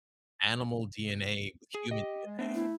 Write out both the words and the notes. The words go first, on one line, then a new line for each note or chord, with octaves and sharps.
animal DNA with human DNA, and
G#4
G4 D#5
G#3
A3 B3 C4 D4
E4